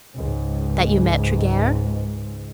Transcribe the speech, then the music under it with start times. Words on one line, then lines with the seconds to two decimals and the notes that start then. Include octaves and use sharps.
"That you met Tregear?"
0.15 C#2 G#2